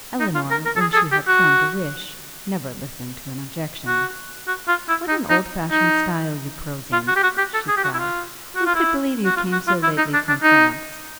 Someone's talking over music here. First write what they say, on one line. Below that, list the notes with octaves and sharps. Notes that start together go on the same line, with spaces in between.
Elinor, when she had formed a wish, never listened to an objection. 'What an old fashioned style you prose in!' she cried; 'who could believe you came so lately from France?
D#4
F4
A#4
A#4
A4
G#4
A4
G#4
G4
F#4
F#4
F#4
F4
E4
D#4
D#4
D#4
F4
F#4
G4
F#4
G4
A4
G#4
G4
F#4
E4
F4
F#4
F4
E4
F#4
F4
F#4
F4
E4
D#4
D4
D4
D#4